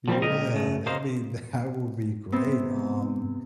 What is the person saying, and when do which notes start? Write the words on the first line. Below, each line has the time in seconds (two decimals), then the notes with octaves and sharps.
Yeah, that'd be that would be great. Um,
0.08 D3 F3 G3 G#3 A#3 C4
0.22 C#2 A#2 G4 A#4 D#5
0.54 C#3 A3
0.86 D#2 A#3 D#4 C5
2.32 C3 B3 C4